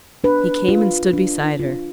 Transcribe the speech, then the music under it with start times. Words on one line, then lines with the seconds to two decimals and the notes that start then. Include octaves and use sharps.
He came and stood beside her.
0.24 D4 B4
0.69 F4
1.13 D4
1.59 F4